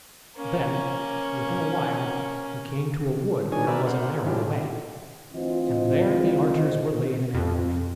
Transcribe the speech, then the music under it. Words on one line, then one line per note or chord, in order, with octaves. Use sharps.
Then within a while he came to a wood where was a narrow way; and there the archers were laid in ambush.
A#3 C#4
D#3 D4 G#4 C#5 G#5
F#4 A#4 B4 D5 E5
A#4 C5 F#5
F#3 C#4 D4 E4 F4 G4
D2 E3 C4 F4 C5 D#5
F2